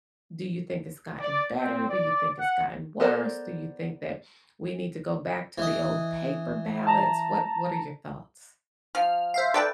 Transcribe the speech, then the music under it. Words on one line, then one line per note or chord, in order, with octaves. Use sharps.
Do you think it's gotten better, do you think it's gotten worse, do you think that we need to go back to the old paper ballots? What what are your thoughts?
D5
C4
D5
F#5
B3 A4 A#4 C5 D5
E3 D#5
A5 A#5
F3 F6
C5 E5 F5
A4 B4 D5 E5 G5